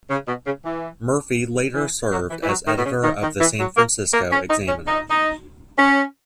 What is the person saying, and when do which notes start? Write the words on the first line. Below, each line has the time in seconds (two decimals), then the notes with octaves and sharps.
Murphy later served as editor of the "San Francisco Examiner".
0.10 C#3
0.28 B2
0.47 C#3
0.66 E3
1.75 E3
2.12 F#3
2.30 E3
2.43 E3
2.49 F#3
2.67 D#3
2.78 B2
2.85 C#3
3.03 D#3
3.23 D#3
3.40 E3
3.59 F#3
3.77 A#3
4.14 A#3
4.32 C#4
4.50 D#4
4.68 C#4
4.87 D#4
5.10 D#4
5.78 C#4